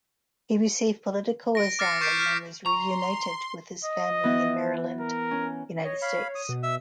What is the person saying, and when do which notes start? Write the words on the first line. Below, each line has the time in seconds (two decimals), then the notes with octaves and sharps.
He received political asylum and was reunited with his family in Maryland, United States.
1.55 A#6 D7
1.79 D6 F6 A6 A#6 C7 C#7
2.01 C#6 G6 A6 B6 C7 D7
2.20 F6 B6
2.66 A#5 C6 C#6
3.85 D#5
4.24 E3 B3 E4
5.00 A#4
5.31 C#4
5.85 C#5 D#5
6.02 F5 B5
6.35 D#6
6.49 B2
6.63 E5 E6